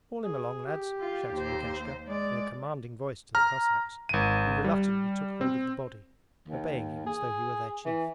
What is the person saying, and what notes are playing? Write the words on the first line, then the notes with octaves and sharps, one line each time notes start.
Haul him along, lads!' shouted Lukashka in a commanding voice to the Cossacks, who reluctantly took hold of the body, obeying him as though he were their chief.
G#4
G4
F4
D#2 C5
G#3 D5
A#5 F6
G#1 D#7
G3
C4
D#2
G#4
E3